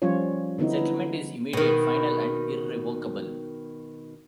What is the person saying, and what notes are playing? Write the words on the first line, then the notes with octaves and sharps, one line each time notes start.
Settlement is immediate, final and irrevocable.
F3 G3 C#4 F4 C#5
D3 E3 B3 D#4 E4
B2 D#3